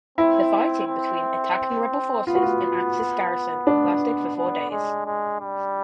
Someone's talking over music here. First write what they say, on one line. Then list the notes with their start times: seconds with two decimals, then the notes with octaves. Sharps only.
The fighting between attacking rebel forces and Axis garrison lasted for four days.
0.18 C4 E4
0.87 C4
2.27 B3 F4
2.35 F#4
2.43 F4
3.67 D4
4.37 B3
4.71 G#3
5.06 G#3
5.41 G3